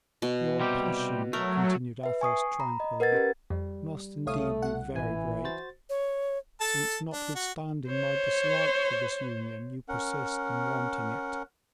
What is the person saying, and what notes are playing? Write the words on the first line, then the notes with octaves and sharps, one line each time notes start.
"Your passion," continued Athos, tranquilly, "must indeed be very great, since, notwithstanding my dislike to this union, you persist in wanting it."
B2
C3 G3 G4
F#3 A3 A#4
B4 E5
G#5 C#6 D#6 C7
A#5 B5
D#5
A#4 B4 F#5 G#6 A6
C#4 G4 B4
F2 G3
C2 A3 C#5 F5 D#6
F#5
A1 E3 G#5
F#4 C5 A6
C#5
A4 A5
D4
F#4
C5 C#5
C#4 A#4 F#5